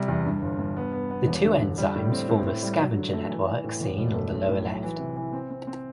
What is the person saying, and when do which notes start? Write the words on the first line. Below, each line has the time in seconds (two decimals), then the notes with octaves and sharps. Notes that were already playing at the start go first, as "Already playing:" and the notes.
The two enzymes form a scavenger network seen on the lower left.
Already playing: C3 G3
0.08 E2
0.26 G2
0.42 G1
0.59 G2
0.77 B3
0.93 B3
1.11 B3
1.27 E1
1.44 D3
1.61 D3
1.78 G3
1.95 A2
2.12 C4
2.29 A2
2.46 A2
2.62 G3
2.79 F#3
2.97 D3
3.13 A3
3.30 E3
3.47 E3
3.64 A2
3.80 E1
3.98 B2
4.14 A3
4.32 B1
4.49 A2
4.65 F#3
4.83 E3
4.99 C3
5.17 E3
5.33 C4
5.50 C4
5.67 C4